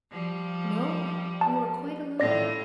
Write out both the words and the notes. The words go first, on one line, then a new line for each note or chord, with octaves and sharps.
"No; we were quite alone."
F3 G3
A5
A2 F4 D5 A#6